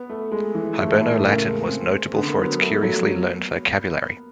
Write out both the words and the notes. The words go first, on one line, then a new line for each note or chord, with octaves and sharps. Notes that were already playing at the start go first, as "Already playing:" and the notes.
Hiberno-Latin was notable for its curiously learned vocabulary.
Already playing: B3
A3
G#3
E3
A2 A3
A3
A2
A#3
C#3 A#3
G#3
C4
C4
D3 B3
A#3
F#3
B3
A3
F#3